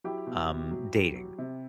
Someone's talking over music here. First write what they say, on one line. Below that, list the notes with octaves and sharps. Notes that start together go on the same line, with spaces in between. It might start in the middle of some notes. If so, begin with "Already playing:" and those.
um, dating.
F#3 E4 G4
B2
B2
F#3
F#3
F#3
C3